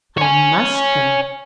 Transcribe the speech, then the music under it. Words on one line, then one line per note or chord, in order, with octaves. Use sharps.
I must go.
C#5 G#5